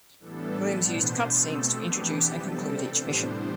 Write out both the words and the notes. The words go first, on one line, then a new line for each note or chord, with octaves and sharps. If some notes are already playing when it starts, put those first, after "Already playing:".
Williams used cut scenes to introduce and conclude each mission.
A2 E3 G3 B3 D4 A4
B2 B3 D4 C5
B2 A3 C4 A4
E3 B3 D4 G4
C3 G3 C4 A4
A2 E3 G3 B3 D4 C5